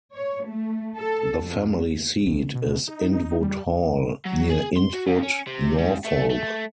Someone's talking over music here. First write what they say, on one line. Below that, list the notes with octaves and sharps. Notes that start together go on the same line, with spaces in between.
The family seat is Intwood Hall, near Intwood, Norfolk.
C#5
A3
A4
F2
C2
B2
D#4
D#4
G3
F#3
G#4
C6
F#4
F2
C#4
C3
G#2
A3
A3